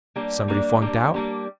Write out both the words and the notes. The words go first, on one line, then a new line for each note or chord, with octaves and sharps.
Somebody flunked out?
G3 A#3 D4 G4
G3 A#3 D4 G4
G3 A#3 D4 G4
G3 A#3 D4 G4